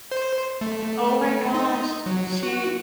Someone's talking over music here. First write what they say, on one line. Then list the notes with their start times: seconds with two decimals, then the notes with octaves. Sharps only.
Oh my gosh, she
0.12 C5
0.61 A3
1.54 D#4
2.06 F#3
2.43 F#4